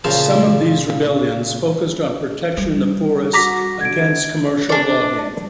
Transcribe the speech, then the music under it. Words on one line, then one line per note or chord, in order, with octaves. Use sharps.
Some of these rebellions focused on protection of forests against commercial logging.
A#2 C#3 C5 F5 A5
G3
F#4 A#5 D6 A#6 B6
D3 G#6 D7
D4 D5